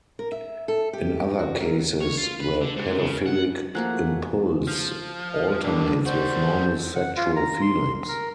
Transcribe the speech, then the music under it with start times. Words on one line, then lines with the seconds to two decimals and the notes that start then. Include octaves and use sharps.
In other cases the pedophilic impulse alternates with normal sexual feelings.
0.19 A#4
0.32 E5
0.68 A4
0.93 G4
1.39 F#4
1.60 A#4
2.01 C#5
2.18 F4
2.40 B4
2.61 D3
2.77 G#2
2.98 C#3
3.26 F#5
3.75 F3 A3 A#3 F#4 G#4 F#5
4.67 F3
5.63 G2 D3 D4
6.05 G3 F#4 C5
6.95 F#5
7.16 F4
7.36 A#5
7.61 C6
8.08 A#4